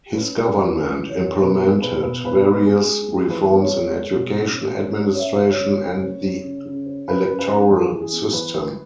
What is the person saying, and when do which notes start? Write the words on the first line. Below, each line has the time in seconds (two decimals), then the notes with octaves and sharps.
His government implemented various reforms in education, administration and the electoral system.
0.14 C#4 B4
0.35 C#4 G#4
0.57 E3 B4
0.77 C#4 B4
0.99 E3
1.09 C#5
1.20 E3
1.41 B2 B4
1.61 B3 G#4
1.82 B2 B4
2.03 B2 B4
2.24 B2 B4
2.45 B3 B4
2.66 G#3 G#4
2.87 G#3
3.08 G#3
3.29 E3 B4
3.51 B3
3.61 C#5
3.72 B3
3.92 G#3
4.13 B2
4.35 C#4
4.55 C#4
4.76 C#4
4.97 C#4
5.14 C#5
5.19 C#4 E5
5.39 C#3
5.50 C#5
5.60 G#3
5.82 C#3
6.03 C#4
6.24 C#4
6.44 C#3
6.65 C#3
6.86 C#4
7.08 C#3 B4
7.28 C#3
7.39 B4
7.50 C#4
7.71 E3 G#4
7.92 E3
8.01 G#4
8.12 B3
8.33 E3 B4
8.55 E3